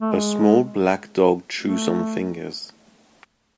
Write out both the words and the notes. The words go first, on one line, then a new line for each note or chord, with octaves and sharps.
A small black dog chews on fingers.
A3
G#3
A3